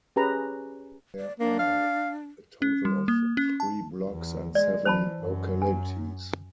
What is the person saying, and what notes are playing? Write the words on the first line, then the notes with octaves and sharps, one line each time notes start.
There are a total of three blocks and seven localities.
C#4 G4 G#4 B4 A#5
D5
A#3 D4
F5
C#4
G3
A#3
C#4
A5
E2
G#3 D5
E3 C5 A5 B5
F#2
G#5